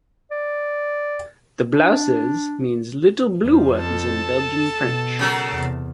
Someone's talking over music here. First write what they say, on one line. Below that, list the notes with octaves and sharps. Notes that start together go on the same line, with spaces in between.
The Blauzes means "Little Blue Ones" in Belgian French.
D5
D4
F2 F3
A4 A5
B2
C#3 F#3 A#4
E2 C3